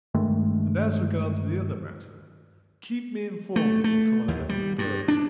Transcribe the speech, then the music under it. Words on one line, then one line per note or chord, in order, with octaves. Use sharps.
And as regards the other matter--keep me informed if you come on anything further.
G2 D#3 G#3 A3
A3
A3
D#2
G3
G2
D4